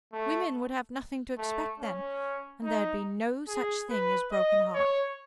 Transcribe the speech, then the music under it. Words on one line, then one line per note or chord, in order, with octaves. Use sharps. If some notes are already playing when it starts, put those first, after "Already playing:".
Women would have nothing to expect then, and there'd be no such thing as broken hearts.
A3
A3
C#4
D#4
G#4
B4
D#5
C#5